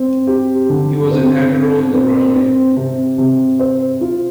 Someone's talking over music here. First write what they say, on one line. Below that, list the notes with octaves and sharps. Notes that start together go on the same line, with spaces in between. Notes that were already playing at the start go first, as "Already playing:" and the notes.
He was an admiral in the Royal Navy.
Already playing: C4
G4
D3
C4
C4
C4
C4
C3
C3
C5
F4